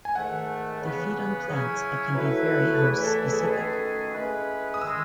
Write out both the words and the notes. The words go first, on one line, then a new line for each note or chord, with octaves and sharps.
They feed on plants and can be very host specific.
G#5
G#2 D#3 A3 F#5
C#3 E3 B3
C#3 F#3 C#4 E4 G#4
F#3 A3 E4 B4
A4
E2 C#3 E3 A3 E4 G#4
B4
A4
A4
G#4
A4
F#2 D#3 A3 C#4 G#4 B4
E3 G#3 C#4 G#4 B4
D#6
D#3 G#3 E6